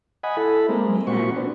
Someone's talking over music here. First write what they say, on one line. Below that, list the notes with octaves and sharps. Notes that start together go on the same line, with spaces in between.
Oh, man.
D#5 F#5 G#5 B5
E4 A4 B5
G#3 C4 A#4
A#2 C4 F#4 C#6
B3 C4 D4